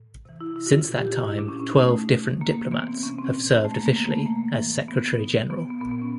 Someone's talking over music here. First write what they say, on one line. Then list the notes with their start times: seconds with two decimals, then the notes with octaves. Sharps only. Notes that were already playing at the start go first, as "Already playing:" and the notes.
Since that time, twelve different diplomats have served officially as Secretary General.
Already playing: A2
0.25 C3 E3
0.40 E4
0.56 E4
0.66 F#4
0.77 F4
0.87 A#2
0.98 G4
1.08 G4
1.28 E4
1.38 D4
1.48 A#2 C#4
1.60 C#4
1.70 D#4
1.80 A3
2.11 B2
2.41 A#3
2.72 E3 B3
2.76 C3
2.88 C4
3.03 C#4
3.19 C4
3.34 A#2
3.65 A3
3.75 A#3
3.86 B3
3.96 C3 E3 A#3
4.11 A3
4.26 A#3
4.57 A2 E3
4.88 B3
5.19 B2
5.50 B3
5.70 B3
5.81 A#2 B3
5.91 B3
6.02 C#4